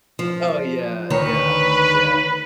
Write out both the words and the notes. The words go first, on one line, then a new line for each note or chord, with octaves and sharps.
Oh, yeah, yeah, yeah.
F3
D2 D#3 B4 C#5